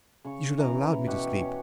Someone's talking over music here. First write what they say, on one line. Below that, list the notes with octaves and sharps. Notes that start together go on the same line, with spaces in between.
You should have allowed me to sleep.
C#3 C#6
E3 A#5
B2 G4 F#5 C#6
C#4